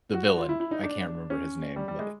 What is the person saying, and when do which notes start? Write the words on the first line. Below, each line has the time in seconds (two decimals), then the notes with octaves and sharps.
the villain, I can't remember his name, but
0.14 F#4
0.37 F4
0.49 E4
0.60 E4
0.71 D#4
0.83 D4
1.30 C#4
1.76 G3
1.88 G3
1.99 G#3